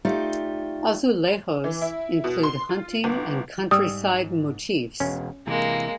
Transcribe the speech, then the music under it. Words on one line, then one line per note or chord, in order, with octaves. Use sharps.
Azulejos include hunting and countryside motifs.
A3 D#4 F4 G4 D5
E3
E4
B2
C6
F4
G1
G#2 G3 D#6 E6
E1 C#4
C3 E3 G#3 A#3